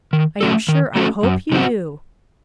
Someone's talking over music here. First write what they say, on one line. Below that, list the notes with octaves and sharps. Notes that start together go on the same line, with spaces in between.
I am sure I hope you do.
D#3
A3 C#4 F#4 A4
D#3
A3 C#4 F#4 A4
F#2
C#3 F#3 C4 F#4